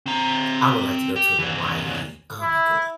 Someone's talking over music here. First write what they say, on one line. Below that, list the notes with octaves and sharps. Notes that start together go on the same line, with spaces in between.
I would like to go to Hawaii, oh my goodness
C4 A#5
G4
G2 E3
E4